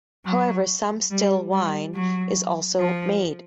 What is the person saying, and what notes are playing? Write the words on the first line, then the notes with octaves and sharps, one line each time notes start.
However, some still wine is also made.
F#3
G3
G3
F#3
F3